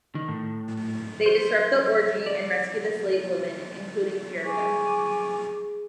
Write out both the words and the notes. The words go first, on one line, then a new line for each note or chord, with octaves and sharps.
They disrupt the orgy and rescue the slave women, including Phrygia.
D#3
A2
C5
D5
G#4 G#5 C#6 D6